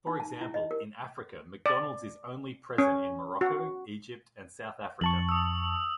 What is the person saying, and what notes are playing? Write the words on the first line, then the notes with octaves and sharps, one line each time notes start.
For example, in Africa McDonald's is only present in Morocco, Egypt and South Africa.
D#4
A5
E4
D#5
A#4
D5
C#4
F#4
F2 A5 C#6 F#7
D#6 E6